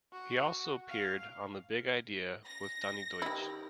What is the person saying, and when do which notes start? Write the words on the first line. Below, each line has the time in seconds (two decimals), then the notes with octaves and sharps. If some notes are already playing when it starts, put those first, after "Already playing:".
He also appeared on "The Big Idea with Donny Deutsch".
0.13 F#4
0.89 F5
2.47 A#6
3.22 D#3 D#4 E4 G4